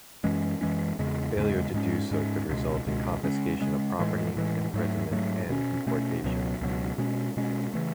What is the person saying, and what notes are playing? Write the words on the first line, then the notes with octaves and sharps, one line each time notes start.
Failure to do so could result in confiscation of property, imprisonment and deportation.
F#2 E3 G#3 C#4
F#2 E3 G#3 C#4
E2 C#3 G#3
E2 C#3 G#3
G#2 G#3 C#4
G#2 G#3 C#4
C#2 B2 G#3
C#2 B2 G#3
C#3 G#3 C#4
C#3 G#3 C#4
A2 E3 G#3
A2 E3 G#3
G#2 F#3 A3
G#2 F#3 A3
B2 A3 C#4
B2 A3 C#4
C#2 B2 F#3
C#2 B2 F#3
B2 G#3 C#4
B2 G#3 C#4
C#3 E3 A3